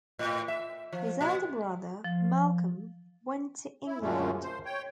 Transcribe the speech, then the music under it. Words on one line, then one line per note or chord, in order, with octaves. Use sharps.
His elder brother, Malcolm, went to England.
A2
E5
F3
A#2
F3
E4
F#2 A#2 D3 G#3 A3 C#4
C5
C#5 G5